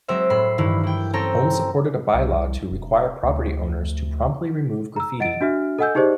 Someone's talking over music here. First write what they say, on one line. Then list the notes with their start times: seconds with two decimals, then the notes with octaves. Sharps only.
Holmes supported a bylaw to require property owners to promptly remove graffiti.
0.08 F#3 G#3 C4 C5 E5
0.30 A2 B5 C7
0.58 G2 D#3 E3 E4
0.83 E4 G5
1.13 C4 C#4 A4 G5 A#5
2.14 C2
2.72 E1
3.23 D2
4.96 A#5 E6
5.20 D#5 F#5 A6 D7
5.41 D4 F#4 E5 F6
5.79 A4 D#5 F#5 G#5 E6 G6
5.95 D#4 G4 G#4 C5 D5 D#5